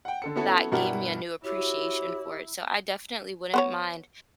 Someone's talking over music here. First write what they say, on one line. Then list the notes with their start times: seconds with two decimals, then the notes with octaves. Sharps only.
that gave me a new appreciation for it, so I definitely wouldn't mind,
0.05 F#5 G5
0.22 D3 A4 C#7
0.36 B3 C#4 E4 F#4 A4 C#5
0.72 G2 B2 G3 E4 A#4 F#5
1.44 E4 F#4 G4 C#5
3.54 B3 C5 C#5